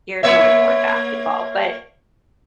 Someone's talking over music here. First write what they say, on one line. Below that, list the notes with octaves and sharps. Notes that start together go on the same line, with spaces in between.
geared more toward basketball. But,
A#3 C#5 E5